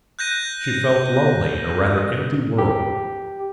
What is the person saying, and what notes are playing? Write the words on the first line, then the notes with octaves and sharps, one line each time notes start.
She felt lonely in a rather empty world.
F#6 G6 A#6 D#7
G4